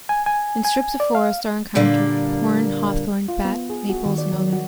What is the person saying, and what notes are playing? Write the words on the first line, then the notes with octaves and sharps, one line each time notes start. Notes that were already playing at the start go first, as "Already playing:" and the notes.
In strips of forest are encountered: horn, hawthorn, bat, maples and other.
G#5
G#5
G#5
D5
F5
A#2 D3 G3 A#3
F4
B3
G#4
F#4
D#3
D5
F#3
F#4